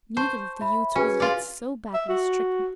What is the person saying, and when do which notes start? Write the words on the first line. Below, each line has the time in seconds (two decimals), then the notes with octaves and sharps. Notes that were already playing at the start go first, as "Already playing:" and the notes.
Neither of the youths was yet so badly stricken.
0.17 C5 A5 C#6 G6
0.61 E5 B5
0.96 C#4 F#4 G#4 B4
1.20 F4 D5
1.94 E5
2.09 F#4